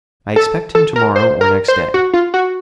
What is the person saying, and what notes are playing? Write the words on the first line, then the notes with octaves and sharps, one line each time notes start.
I expect him to-morrow or next day.
A4
A4
A#4
C5
A#4
C5
F#4
F4
F#4